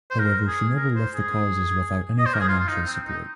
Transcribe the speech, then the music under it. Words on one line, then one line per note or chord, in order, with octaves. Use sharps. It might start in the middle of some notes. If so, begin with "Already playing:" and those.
However she never left the causes without any financial support.
C5
A#4
G#4
A#4
C5
G#4
D#5
C5
A#4
G#4
F4
F4
D#4
C4
D#4